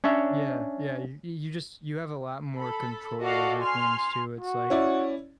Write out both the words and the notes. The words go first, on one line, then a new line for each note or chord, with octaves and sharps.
Yeah, yeah, y you just you have a lot more control over things too. It's like,
C#4 D4 C#5 E5
A4 B5
F#4 A4 D5 D#5 F5 F#5
G#5 C6 F6
F#4
C#4 E4 D5